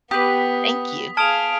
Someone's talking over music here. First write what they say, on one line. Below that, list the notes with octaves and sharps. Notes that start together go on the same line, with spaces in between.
thank you.
B3 G4 B4 D#6 B6
G#4 F5 A5 D#6 F6 G#6 D7 F7